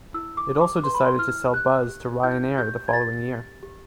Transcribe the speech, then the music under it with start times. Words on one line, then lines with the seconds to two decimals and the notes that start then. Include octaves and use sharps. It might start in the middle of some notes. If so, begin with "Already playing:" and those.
It also decided to sell Buzz to Ryanair the following year.
0.14 E4 E6
0.37 D6
0.49 G4
0.61 D6
0.84 B4 C6
0.94 B5
1.05 C6
1.19 E4 F6
1.54 G4 F#6
1.89 G4
2.23 E4 G6
2.58 G4 G6
2.88 G#6
2.93 G4 A6
3.28 G4
3.63 G4